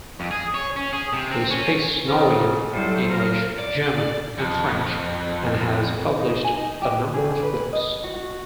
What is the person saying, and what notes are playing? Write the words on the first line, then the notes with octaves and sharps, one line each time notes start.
He speaks Norwegian, English, German and French, and has published a number of books.
F2
G#4
C#5
C#4
G#4
C3
C4
C#4
F2 C#3 F3
A2 F#3 G3 A4 C5
A#3 A#4
D5
F2
D#4
G#5
D#4
G4
G#4
B4
D#5
F#4
F#4